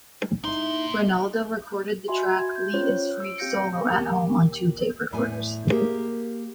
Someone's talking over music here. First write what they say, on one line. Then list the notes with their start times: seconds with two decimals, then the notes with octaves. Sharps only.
Ranaldo recorded the track "Lee Is Free" solo at home on two tape recorders.
0.44 A#3 D#4 E4 C6
2.08 F#4 D#5 E5 G#5 B5 C6
2.29 G#6
2.55 G6
2.73 C#4 F4 C5 C#5
3.20 E6 D7
3.38 C4 G4 F5 G6 A#6 C#7
3.88 D#2 G4
5.11 E2 A2 G#5
5.70 A#3 G4 G#4